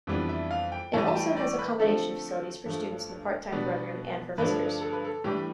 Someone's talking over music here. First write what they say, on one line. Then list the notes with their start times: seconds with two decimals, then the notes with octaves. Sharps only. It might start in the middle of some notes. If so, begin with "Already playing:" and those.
It also has accommodation facilities for students in the part-time program and for visitors.
0.07 F2 E3 G3 B3 D4
0.29 E5
0.51 F5
0.72 G5
0.93 A2 E3 G3 A5
1.08 A5
1.15 G5
1.37 D5
1.59 B4
1.80 D3 F3 A3 C4 A4
2.66 G2 F3 A3
3.52 B2 G3 B3 D4
4.38 G2 D3 F3 A3 D4 B4
4.81 A4
4.93 B4
5.05 A4
5.24 A2 E3 G3 D4 G4